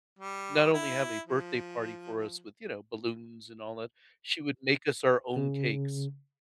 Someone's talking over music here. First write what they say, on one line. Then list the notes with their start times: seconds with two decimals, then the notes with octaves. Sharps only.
not only have a birthday party for us with, you know, balloons and all that, she would make us our own cakes.
0.19 G3
0.73 E4
1.26 F3
5.36 C#3